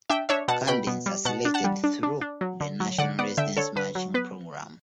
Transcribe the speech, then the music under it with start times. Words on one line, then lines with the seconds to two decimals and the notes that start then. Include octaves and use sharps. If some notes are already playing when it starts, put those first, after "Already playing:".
Candidates are selected through the National Residency Matching Program.
0.10 D4 E5 G5
0.29 D4 C#5 E5
0.48 B2 F#5 A5
0.67 B2 G5 B5
0.87 B2
1.06 G3
1.25 B2 F#5 A5
1.45 D4
1.54 F#5 A5
1.64 G3
1.84 D4
2.03 D4
2.21 D4
2.41 F#3
2.61 D3
2.80 F#3
2.98 D3 D5 F#5
3.19 B3 D5 F#5
3.37 D3 E5 G5
3.57 D3 A4 C#5
3.76 D3 B4
3.95 F#3
4.14 B3 B4